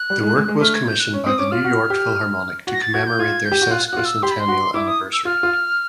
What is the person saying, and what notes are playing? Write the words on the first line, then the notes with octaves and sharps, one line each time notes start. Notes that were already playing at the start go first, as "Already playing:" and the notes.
The work was commissioned by the New York Philharmonic to commemorate their sesquicentennial anniversary.
Already playing: F#6
G3
G#3
G#3
G#3
A3 F6
G#6
G6
F#6
C#4
C4 D#6
C#4 D6
F4 F6
F#4
G4
F#4
A#6
A6
F#4 G#6
G6
F4 G#6
G6
G4
F#4
F4 F#6
F#4 F#6
F4
E6
G4 C6
B5
C6
F#4
E4 D6
D#6
E6
F4 F6
F4